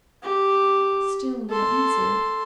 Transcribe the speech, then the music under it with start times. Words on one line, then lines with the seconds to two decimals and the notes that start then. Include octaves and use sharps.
Still no answer.
0.23 G4
1.50 A4 C6